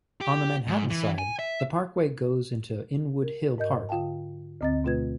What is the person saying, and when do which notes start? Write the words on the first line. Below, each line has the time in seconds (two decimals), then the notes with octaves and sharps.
On the Manhattan side, the parkway goes into Inwood Hill Park.
0.21 G4
0.68 G#2
0.91 E3
1.19 G#5
1.39 E5
3.22 A#4
3.58 G#2 A#4 D#5 G6
3.89 D3 F4 F5 G5 A5
4.61 D2 D3 C4 D#5 A6
4.84 B2 A3 F4 B4 G#6